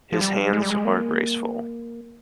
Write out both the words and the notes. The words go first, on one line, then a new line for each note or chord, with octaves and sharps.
His hands are graceful.
F3
G3
G#3
G3
G#3
A#3